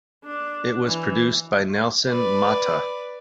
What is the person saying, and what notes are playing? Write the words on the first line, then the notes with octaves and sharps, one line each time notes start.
It was produced by Nelson Motta.
D4
E3
B4 D5